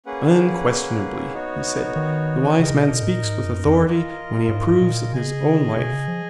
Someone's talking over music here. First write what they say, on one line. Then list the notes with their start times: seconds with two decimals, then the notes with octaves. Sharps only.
Unquestionably, he said, the wise man speaks with authority when he approves of his own life.
0.06 A#3 C#4 G#4 B4 F#5
1.32 B3 D#4 F#4 C#5
1.96 D#3
2.59 C#3 D#4 A#4 D#5
2.75 B2
2.91 B2
3.02 G#2
3.07 A#2
3.23 G#2
3.45 F#2
3.65 F2
3.87 F4 A#4 D#5
4.49 G#2
4.82 A#2
5.12 C#3 G#4 D#5 G#5
5.77 B2
5.92 C#3
6.08 F3